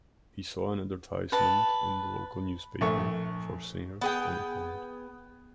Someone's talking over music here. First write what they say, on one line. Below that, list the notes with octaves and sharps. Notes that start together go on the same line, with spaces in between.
He saw an advertisement in the local newspaper for singers and applied.
B4 A5
A#1 A3 C#6
B3 G#4 G5